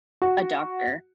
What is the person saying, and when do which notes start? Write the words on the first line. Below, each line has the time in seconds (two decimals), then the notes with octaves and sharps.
a doctor.
0.22 F#4